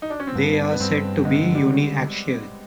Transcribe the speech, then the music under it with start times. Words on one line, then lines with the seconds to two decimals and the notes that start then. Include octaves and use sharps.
They are said to be uniaxial.
0.02 D#4
0.10 D4
0.20 C#4
0.27 C4
0.35 G2 B3
0.72 B3
0.80 G2 C4
1.25 D3 G#3
1.55 G3